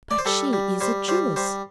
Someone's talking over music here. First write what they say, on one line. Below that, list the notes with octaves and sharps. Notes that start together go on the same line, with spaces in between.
"But she is a Jewess!"
D5
C5
G3 A4
G3
G3 C5
G3 C5
G3 C5